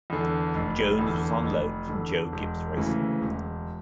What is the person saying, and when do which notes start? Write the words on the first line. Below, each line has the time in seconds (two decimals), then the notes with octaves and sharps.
Jones was on loan from Joe Gibbs Racing.
0.10 E2 D3
0.55 F1
0.99 E2 D3
1.43 F1
1.88 E2 D3
2.32 E1
2.77 D2 C#3 E3
3.21 E1